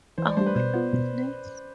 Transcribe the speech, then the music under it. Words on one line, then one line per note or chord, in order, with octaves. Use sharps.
Oh my goodness.
E3 C5
D5
G3 D4 G4 C5
B4
B2 C5
B3 F4
B2